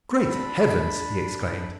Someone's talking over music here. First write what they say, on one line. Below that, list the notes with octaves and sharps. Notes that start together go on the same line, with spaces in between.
"Great Heavens!" he exclaimed.
D4 B5